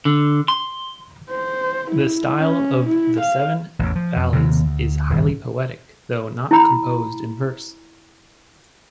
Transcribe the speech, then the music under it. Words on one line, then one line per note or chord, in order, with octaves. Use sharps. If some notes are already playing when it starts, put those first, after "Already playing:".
The style of "The Seven Valleys" is highly poetic, though not composed in verse.
D3
C6
C5
E4
C#4
E4
F5
A1 E2
F3
F2
D#2 C3
D2
D#1 G#1 G2
E4 A#5 B5